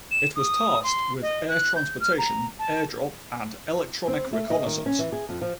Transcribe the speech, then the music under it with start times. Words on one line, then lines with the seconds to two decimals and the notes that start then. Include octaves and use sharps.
It was tasked with air transportation, airdrop and electronic reconnaissance.
0.11 E7
0.35 D#6
0.83 C6
1.22 D#5
1.48 F#6
1.76 G6
2.00 F6
2.18 A#5
2.59 A5
4.08 C4
4.33 A3
4.50 D#5
4.66 D#3
4.86 C#4
4.99 E3
5.12 G#4
5.29 F2
5.42 F3